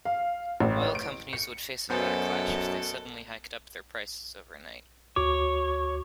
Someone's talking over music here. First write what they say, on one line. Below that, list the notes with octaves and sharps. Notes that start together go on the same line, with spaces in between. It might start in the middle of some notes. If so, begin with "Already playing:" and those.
Oil companies would face a backlash if they suddenly hiked up their prices overnight.
F5
A1
D7
C#7
F#2 B2 B3 A4 C5 G#5
D2 F#4 C#5 D6